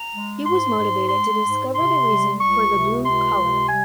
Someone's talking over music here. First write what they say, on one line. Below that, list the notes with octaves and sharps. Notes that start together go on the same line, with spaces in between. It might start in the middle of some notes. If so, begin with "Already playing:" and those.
He was motivated to discover the reason for the blue colour.
Already playing: A#5
G#3
G#2 C6
G#2
G#3 C6
G#2
C3 C6
G3
C#2 C#6
C3
C#2 C6
C3
G3 G#5